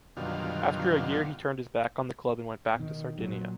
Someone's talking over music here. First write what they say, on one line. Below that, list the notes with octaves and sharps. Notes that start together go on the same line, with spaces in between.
After a year he turned his back on the club and went back to Sardinia.
F#2 B2 D3 D#3 G3 F4
B2 D#3
A#2 F#3